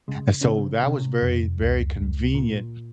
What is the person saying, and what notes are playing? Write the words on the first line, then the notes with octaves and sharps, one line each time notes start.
and so, that was very, very convenient,
C#3 G#3
C#4
C#3 C4
C3 C#4
F2
C#2
C#2
A#2